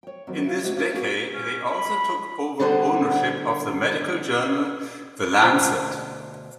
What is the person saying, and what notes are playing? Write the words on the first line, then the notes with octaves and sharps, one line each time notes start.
In this decade they also took over ownership of the medical journal, "The Lancet".
C#5 G5
B2 D#3 F#3 A#3 C4
E4 F#4 F5
C3 G#3 A3 B3 F#4
A#3 C#4 F4 G4 A#4
A#3 B3 F#4 G#4 A#4 B4
C#4
B5
D3 G3 B3 C5 F#5
D2 B2 C5